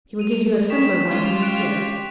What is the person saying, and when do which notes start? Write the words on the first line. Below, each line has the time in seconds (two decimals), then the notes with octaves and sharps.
"He will give you a similar one for Monsieur."
0.19 D#7 F7
0.70 G#4 B4 G5 C#6 B6 E7
1.09 G#3 C#4 F4 G4 G5
1.42 F#6 D7 F7